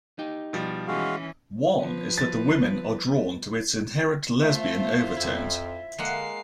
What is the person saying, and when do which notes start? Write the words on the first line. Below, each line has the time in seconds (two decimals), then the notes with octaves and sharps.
One is that the women are drawn to its inherent lesbian overtones.
0.19 D#4 G4
0.53 B2 F3 G3
0.88 E3 G#3 C#4 F#4 F5
1.80 F3 B4
2.18 A6
4.42 A3 F4 C5 E5
5.17 F2 E4
5.98 D3 G#3 A#3 F5 F#5 C7